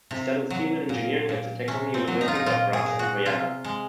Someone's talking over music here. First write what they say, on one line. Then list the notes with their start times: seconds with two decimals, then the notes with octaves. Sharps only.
He studied civil engineering at the Technical Universities of Graz and Vienna.
0.11 C3
0.50 F#3
0.89 A#2
1.29 A#2
1.68 C3 C#4
1.94 C4
2.07 F#3
2.21 D#4
2.28 F4
2.35 D#4
2.46 A#2 F4
2.73 G#4
2.86 A#2
2.99 F#4
3.25 C3 F4
3.64 G#3